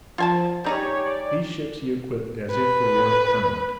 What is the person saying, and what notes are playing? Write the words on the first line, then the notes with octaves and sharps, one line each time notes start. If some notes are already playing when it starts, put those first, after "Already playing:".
These ships he equipped as if for royal tournament.
F3 F4 G#5 A5
G3 D#4 G4 G#4 C#5
D5
B4